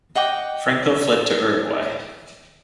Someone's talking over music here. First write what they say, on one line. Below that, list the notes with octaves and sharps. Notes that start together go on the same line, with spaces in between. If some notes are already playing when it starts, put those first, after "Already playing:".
Franco fled to Uruguay.
D#5 F#5 G5 D6